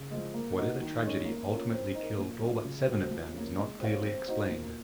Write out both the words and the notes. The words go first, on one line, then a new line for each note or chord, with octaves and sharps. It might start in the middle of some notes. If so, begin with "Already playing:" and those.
Whatever tragedy ultimately killed all but seven of them is not clearly explained.
Already playing: C#3
F3 G#3
A#3
D#4 F#4
D#3
G#3 C#4
A#3
C#4 F4 A#4
C4
D#4
A#4
A#2
F#3 C#4 F4
C#3
F#3 C4 F#4
F3
A#3 C#4
G#3
C4 F#4 C#5 F5
C4
D#4 F#4 C5
A#2